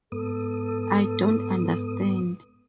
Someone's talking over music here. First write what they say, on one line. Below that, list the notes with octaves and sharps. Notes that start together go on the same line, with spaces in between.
I don't understand.
G#2 B3 A4 D#6